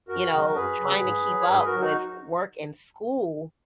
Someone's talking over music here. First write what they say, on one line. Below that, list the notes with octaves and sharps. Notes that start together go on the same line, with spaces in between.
you know, trying to keep up with work and school
F#2 F#4 A#4
C#3 F#3
F#2 G#4 B4
C#3 F#3
G#2
F#3
C#5
G#2 G#4 B4
B4
F#4 A#4
F#3
D#4 F#4